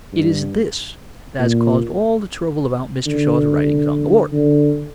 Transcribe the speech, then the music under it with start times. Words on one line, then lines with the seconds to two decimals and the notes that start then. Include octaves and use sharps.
It is this that has caused all the trouble about Mr. Shaw's writings on the war.
0.13 G2
1.39 A#2
3.07 D3
4.33 D3